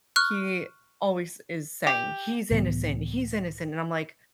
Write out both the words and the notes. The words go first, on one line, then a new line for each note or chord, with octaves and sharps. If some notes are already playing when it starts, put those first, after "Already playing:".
he always is saying, "He's innocent. He's innocent." And I'm like,
C#6 F6 F#6
G4
C#2 A2 E3 B3